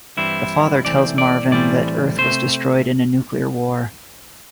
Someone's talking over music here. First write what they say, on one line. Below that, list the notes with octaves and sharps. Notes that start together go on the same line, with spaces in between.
The father tells Marvin that Earth was destroyed in a nuclear war.
G2 E3 G3 C4 E4
C3 E3 A3 C4 D5
D5
A2 E3 G3 C4 D5
C3 A3 C4 C5